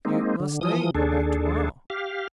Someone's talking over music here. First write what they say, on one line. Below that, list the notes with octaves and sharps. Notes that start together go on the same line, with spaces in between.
You must stay and go back to-morrow.
G#3 A#3 C4 D#4
D3
E3 F3 D#6
D#2 D4 G#4 A4
G4 F5